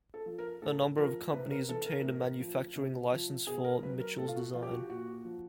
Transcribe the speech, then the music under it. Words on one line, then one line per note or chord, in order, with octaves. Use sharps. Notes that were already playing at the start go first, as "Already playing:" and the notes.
A number of companies obtained a manufacturing licence for Michell's design.
A4
F3
A#4
A2 A4
F3 A#4
C3 B4
A#4
E3 A4
A#4
A2
F3
C3
F3
B2 G#4
A#4
F#3 B4
A#4
A2 A4
F4
F#4
F3 F4
G4
F#4
A#2 F#4
F3